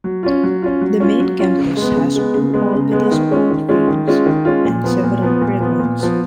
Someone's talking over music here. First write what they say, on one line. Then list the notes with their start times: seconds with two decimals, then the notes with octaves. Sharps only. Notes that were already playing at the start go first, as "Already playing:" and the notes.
The main campus has two all-weather sports fields and several playgrounds.
0.04 F#3
0.23 C#4 F4
0.43 F#3
0.62 C#4 F4
0.81 F#3
1.00 C#4 F4
1.20 F#3
1.39 C#4 F4
1.58 C#3
1.77 G#3 B3
1.96 C#3
2.16 G#3 B3
2.34 C#3
2.54 G#3 B3
2.73 C#3
2.92 G#3 B3
3.11 D#3
3.31 G#3 C#4 F4
3.50 D#3
3.69 G#3 C#4 F4
3.88 D#3
4.07 G#3 C#4 F4
4.26 D#3
4.45 G#3 C#4 F4
4.65 A#2
4.84 F3 B3
5.04 A#2
5.22 F3 B3
5.42 A#2
5.61 F3 B3
5.80 A#2
5.99 F3 B3